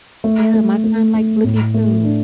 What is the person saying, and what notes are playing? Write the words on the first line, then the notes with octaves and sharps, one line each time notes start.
Yeah, my son like Blippi too.
A3
A3
A3
A3
A2
A3
D4